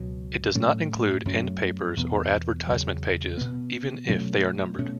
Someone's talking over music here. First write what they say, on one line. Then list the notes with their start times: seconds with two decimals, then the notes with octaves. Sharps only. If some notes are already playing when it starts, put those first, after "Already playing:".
It does not include end papers or advertisement pages, even if they are numbered.
Already playing: C#2 B2 F#3
0.55 A2 F#3 A3 C#4
1.25 F#2 F#3 A3 C#4
1.97 E2 B2 B3
2.67 E2 C#3 F#3
3.37 B2 B3
4.08 B2 F#3 A3 C#4
4.79 B2 A3 C#4